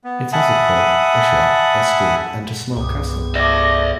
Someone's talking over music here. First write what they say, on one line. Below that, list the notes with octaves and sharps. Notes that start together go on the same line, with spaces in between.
It has a pub, a shop, a school and a small castle.
B3
E5 F#5 G#5 A5 B5 D#6
C2 G2 G3 B3 G#4
A3 F4 G4 D5 E5 A#6